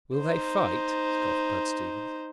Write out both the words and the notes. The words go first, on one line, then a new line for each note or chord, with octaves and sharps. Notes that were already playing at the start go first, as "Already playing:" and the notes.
"Will they fight?" scoffed Bud Stevens.
D#4 C5